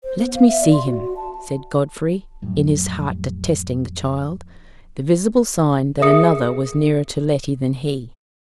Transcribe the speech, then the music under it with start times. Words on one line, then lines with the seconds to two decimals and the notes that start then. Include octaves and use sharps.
"Let me see him," said Godfrey, in his heart detesting the child--the visible sign that another was nearer to Letty than he.
0.04 C5
0.18 B3
0.34 F5
0.47 E5
0.61 D5
0.73 C6
0.85 F#4
1.02 F#4
1.16 A5
2.42 F2 A2 F#3 G3
6.00 G#4 A#4 E5 D#6 C#7